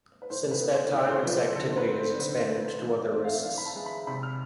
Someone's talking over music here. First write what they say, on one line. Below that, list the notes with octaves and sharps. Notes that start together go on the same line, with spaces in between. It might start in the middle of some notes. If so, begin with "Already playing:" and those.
Since that time its activity has expanded to other risks.
B4
A2 C5
B4
B3
C5
A2 D5
C5
F3 B4
A4
D3 A4
C5
B4
C4
C5
D5
D3 C5
C5
A3 C5
B4
E3 A4
B4
D5
C4 C5
F5
E5
E3 F5
B5
A5
G#3
B5
C3 B5
F6